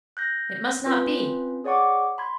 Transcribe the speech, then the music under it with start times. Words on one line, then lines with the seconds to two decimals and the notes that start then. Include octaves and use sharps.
It must not be!
0.17 F#6 G6 A#6
0.85 C4 C#4 F4 B4
1.64 G#4 C#5 D5 F#5 C#6 D6
2.18 B5 C6 G#6